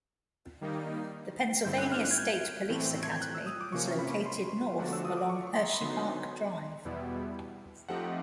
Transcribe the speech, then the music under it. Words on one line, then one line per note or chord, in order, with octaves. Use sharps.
The Pennsylvania State Police Academy is located north along Hersheypark Drive.
D#3 G3 A#3 D#4
G2 D3 G3 C4 E4 G6
F#6
F6
F#6
G#6
G6
A2 E3 A3 C4
G#6
G6
F#6
E6
D#6
D6
C3 F3 A#3 C#4 C#6
B5
C6
D3 F3 A3 D4 F#4
E6
D#6
D6
C#6
C#6
C6
A#5
B5
D3 F#3 B3 D#4 C6
E2 B2 G3 B3 E4
F3 A3 C4 D#4 G4 F#5